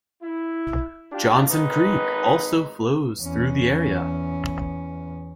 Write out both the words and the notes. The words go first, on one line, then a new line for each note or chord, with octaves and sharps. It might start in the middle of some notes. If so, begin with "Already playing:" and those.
Johnson Creek also flows through the area.
E4
D4 F4 G4
G#1 D#4 B4
E2 C#4